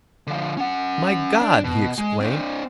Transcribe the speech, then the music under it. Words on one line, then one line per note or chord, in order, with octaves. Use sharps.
"My God!" he exclaimed.
D3 F3
C#4 F#5
D4
B2
G#3
C4 D4